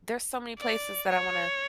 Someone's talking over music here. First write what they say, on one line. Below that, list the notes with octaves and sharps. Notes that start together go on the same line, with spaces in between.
there's so many places that I wanna
D5
C#5